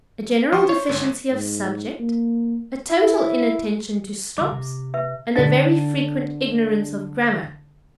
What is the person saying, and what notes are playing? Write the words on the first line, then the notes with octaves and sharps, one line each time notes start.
"A general deficiency of subject, a total inattention to stops, and a very frequent ignorance of grammar."
F3 C5 C6 C#6
C#5
G1 G#2 D3
G#2
A#3
E4
D3 G3 D6
C3
B4 E5
D3 D4 A6